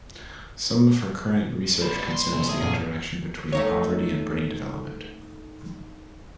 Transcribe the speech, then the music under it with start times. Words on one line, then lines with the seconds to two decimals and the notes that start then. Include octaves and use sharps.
Some of her current research concerns the interaction between poverty and brain development.
1.81 F#3 B4 C5 D5 B5
1.98 C#2 G2
2.11 C#2 C6
2.32 F1
2.48 A3 G#4
2.60 F#2 A#2 D5
3.52 A3 D#4 C#5